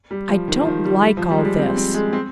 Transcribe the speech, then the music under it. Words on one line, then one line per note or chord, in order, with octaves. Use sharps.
I don't like all this.
G3
F3
D#3
F3
D#3
G3
G3
F3
G3
G#3
G3
C4
C4
G#3
C4